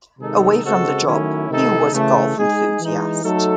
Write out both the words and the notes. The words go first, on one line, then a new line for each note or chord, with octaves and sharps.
Away from the job, he was a golf enthusiast.
C3 D#3 G#3 D#4 A4
C#3 G#3 C4 F#4 A4
D#3 F#3 A3 C#4 E4
C3 D#3 A3 D#4 A4
C#3 E3 A3
G#3 D#4 G#4
E3 G#3 D#4
F#3 A3 D#4 A4